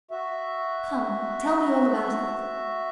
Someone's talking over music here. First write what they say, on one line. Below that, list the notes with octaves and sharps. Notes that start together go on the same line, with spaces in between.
"Come, tell me all about it."
F#4 E5